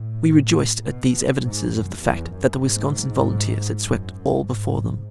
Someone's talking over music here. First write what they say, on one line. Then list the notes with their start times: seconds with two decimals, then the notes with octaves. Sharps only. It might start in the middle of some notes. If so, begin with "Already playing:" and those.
We rejoiced at these evidences of the fact that the Wisconsin Volunteers had swept all before them.
Already playing: A2
0.83 B2
1.43 G#2
1.72 F#2
2.02 E2
2.32 F#2
2.62 G#2
3.80 F#2
4.41 G#2